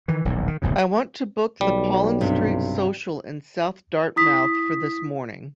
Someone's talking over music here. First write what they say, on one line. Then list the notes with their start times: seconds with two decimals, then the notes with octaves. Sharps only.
I want to book the Pollen Street Social in South Dartmouth for this morning.
0.08 D#3 E3
0.25 D#1 B1 E2
0.47 D#3
0.62 D1 B1 F#2 C#3
1.61 B1 G3
2.21 G2 C3
4.16 E4 D#6 B6